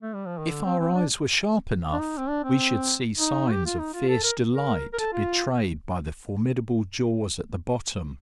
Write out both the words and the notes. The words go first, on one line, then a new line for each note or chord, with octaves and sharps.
If our eyes were sharp enough, we should see signs of fierce delight betrayed by the formidable jaws at the bottom.
A3
G3
F3
D#3
D3
C4
C4
D4
D4
D#4
C4
D4
C4
D#4
G4
F4
D#4
F4
A4
A#4
A#4
A#4
A4
F4